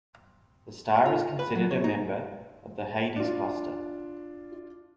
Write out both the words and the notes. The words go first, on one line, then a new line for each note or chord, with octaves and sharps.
The star is considered a member of the Hyades cluster.
F4
B4
F#3
C#5
D#4
D4 F4